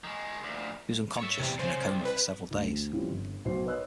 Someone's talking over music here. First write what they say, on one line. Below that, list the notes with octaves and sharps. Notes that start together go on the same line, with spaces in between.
He was unconscious and in a coma for several days.
D#3 G#3
D2 A#2
C#5 E5
E2 C3 G3
C#3 C5
C2
B4
D2
E3 F3 G3 C4 C#4 F4
G1
B1 F#4 C5 C7
A#4 B4 C#5 D#5 E6 F#6